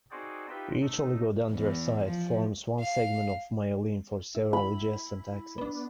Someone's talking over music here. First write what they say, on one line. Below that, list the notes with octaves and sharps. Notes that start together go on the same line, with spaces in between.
Each oligodendrocyte forms one segment of myelin for several adjacent axons.
C4 D#4 F#4 G#4 C5 D5
D#4 F4 G4 B4 E5 G5
A3 D#4
E2
F3
F5
E4
B5
B3 D4